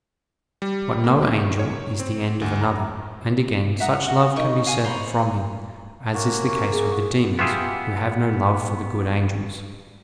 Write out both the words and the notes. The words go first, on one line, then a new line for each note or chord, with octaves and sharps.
But no angel is the end of another; and again, such love can be severed from him, as is the case with the demons, who have no love for the good angels.
G3
A#3
D#3
C#5
C4
D2
A#5
E5 F#5 A#5 D#6
F#4
D#4 A#4 C#6 D#6
F5 G#5 C#6
C5 A#5 B5 C#6
A#3 C#4 F#4
G#4
B3 F4 G4 G#4 E5